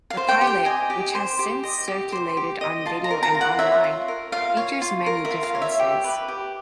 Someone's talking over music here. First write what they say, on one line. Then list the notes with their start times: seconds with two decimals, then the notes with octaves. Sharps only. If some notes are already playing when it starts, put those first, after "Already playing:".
The pilot, which has since circulated on video and online, features many differences.
0.10 F5
0.17 C5
0.29 G5
0.41 G4
0.47 G5
0.65 D#5 G#5
0.90 G4
1.15 C5
1.39 G4
1.63 D#5
1.88 G4
2.12 C5
2.37 G4
2.61 D#5
2.86 F4 A5
3.04 A#5
3.11 A#4
3.23 A#5
3.35 F4
3.41 F#5
3.59 C#5 E5
3.84 F4
4.08 A#4
4.32 F4 F5
4.57 C#5
4.82 F4
5.06 A#4
5.25 E5
5.31 F4
5.43 F5
5.55 C#5
5.62 E5
5.79 G4
6.04 B4
6.28 G4